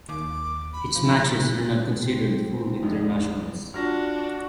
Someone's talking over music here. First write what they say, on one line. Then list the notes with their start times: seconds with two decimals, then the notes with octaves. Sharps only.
Its matches are not considered full internationals.
0.09 D#2 D6
0.73 B5
0.95 F3
1.39 F#6
1.98 C4
2.82 F1 A#1 D#4
3.74 D4 F4 F#4 F6 A#6